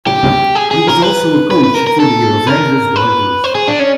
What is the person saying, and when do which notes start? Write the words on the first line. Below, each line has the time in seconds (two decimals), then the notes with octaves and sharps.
He was also a coach for the Los Angeles Dodgers.
0.07 G4
0.55 G#4
0.71 G#4
0.87 A#4
1.02 B4
1.51 B4
1.64 B4
1.75 A#4
1.87 A#4
2.00 A4
2.47 A#4
2.96 B4
3.44 C5
3.55 G#4
3.68 D4
3.79 C#4